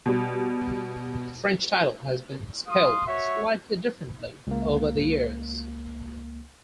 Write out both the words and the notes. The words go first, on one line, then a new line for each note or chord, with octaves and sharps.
The French title has been spelled slightly differently over the years.
B2 G3
F5 C6 D#6
F#4 C#5 E5
C#2 A#3